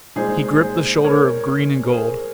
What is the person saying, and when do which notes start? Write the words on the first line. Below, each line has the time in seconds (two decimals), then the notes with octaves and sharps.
He gripped the shoulder of green and gold.
0.16 A#2 G#3 D#4 G#4 C5
0.61 G#4 C5
1.04 A#4 C#5
1.85 A#4
1.92 G#4 C5